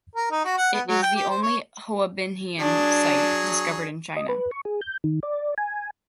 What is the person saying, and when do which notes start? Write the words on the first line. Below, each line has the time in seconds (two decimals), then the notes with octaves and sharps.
It is the only Hoabinhian site discovered in China.
0.16 A#4
0.31 D#4
0.45 F#4
0.57 F#5
0.73 B3
0.87 F#3
1.03 G5
1.16 G4
1.30 C5
1.43 C#5
2.59 F#3 D4 G#4
4.16 D#5
4.29 B4
4.51 C#6
4.65 G#4
4.81 G6
5.04 D#3
5.23 D5
5.58 G#5